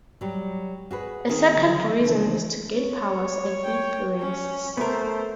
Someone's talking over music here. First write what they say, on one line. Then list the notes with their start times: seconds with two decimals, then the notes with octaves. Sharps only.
A second reason is to gain powers and influences.
0.21 F#3 G3
0.91 F#4 G#4 B4
1.29 D#3 C4 D#4 G#4
1.56 D3 F3 F#3
2.05 C#3 E3 F3 A3 D4
2.77 C#5
3.64 G5
4.20 C#4
4.77 A3 B3 A#4 C5